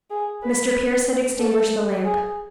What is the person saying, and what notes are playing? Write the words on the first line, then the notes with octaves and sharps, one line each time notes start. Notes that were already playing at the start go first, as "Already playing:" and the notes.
Mr. Pearce had extinguished the lamp.
G#4
B4
A4
G#4